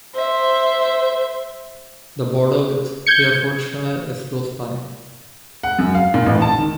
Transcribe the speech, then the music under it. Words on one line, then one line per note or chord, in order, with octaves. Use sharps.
The border with Herefordshire is close by.
C5 E5
G6 G#6 C#7
F#5
F#2
F5
A#2
A1
A5
D#3